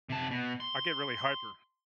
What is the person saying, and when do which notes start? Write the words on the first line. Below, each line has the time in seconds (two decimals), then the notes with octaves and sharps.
I get really hyper.
0.10 C3 A5
0.31 B2
0.60 C6